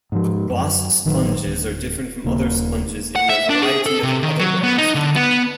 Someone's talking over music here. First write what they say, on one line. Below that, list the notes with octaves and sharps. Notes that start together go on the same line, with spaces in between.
Glass sponges are different from other sponges in a variety of other ways.
G#2 F3
F#2
G#1 A2 D#3 F#3
D1
D#1 C#3 A#3
F#5
E5
D4
G#4
A4
C3
D#3
F#3
B3
D#4
D3
B3